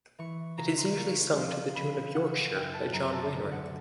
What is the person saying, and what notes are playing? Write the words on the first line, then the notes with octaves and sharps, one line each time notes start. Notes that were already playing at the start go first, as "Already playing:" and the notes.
It is usually sung to the tune "Yorkshire" by John Wainright.
E3 C#6
C#3 A#5
C6
A#3 C#6
F3 C6
C#3 B5
C#3 F#5
F#2 G5
A5
F#2 A#5
A5
D2
F#5